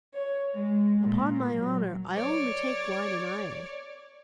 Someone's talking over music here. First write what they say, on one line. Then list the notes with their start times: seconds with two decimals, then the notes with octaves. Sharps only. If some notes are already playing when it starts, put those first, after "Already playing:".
'Upon my honour, I only take wine and iron.
0.14 C#5
0.53 G#3
1.01 A#2
1.53 F#3
2.14 C#5 D5